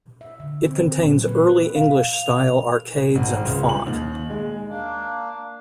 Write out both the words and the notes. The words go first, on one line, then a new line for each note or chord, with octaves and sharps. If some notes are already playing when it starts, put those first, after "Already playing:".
It contains Early English style arcades and font.
E5
D3
C4
F3
A#2
F#3
B4
F5
F7
G#1
C#2
F#7
D#2
G#3
A#3 D4